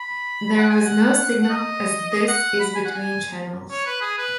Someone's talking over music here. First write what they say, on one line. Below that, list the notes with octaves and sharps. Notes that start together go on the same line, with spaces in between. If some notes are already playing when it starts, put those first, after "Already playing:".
There was no signal, as this is between channels.
Already playing: B5
F#5
G#5
F#5
F#5
D#5
F#5
B5
G#5
F#5
G#5
C#5
B4
G#4
B4